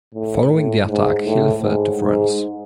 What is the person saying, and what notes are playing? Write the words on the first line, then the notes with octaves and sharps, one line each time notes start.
Following the attack Hill fled to France.
A2
A2
G#2
A2
G#2
G#2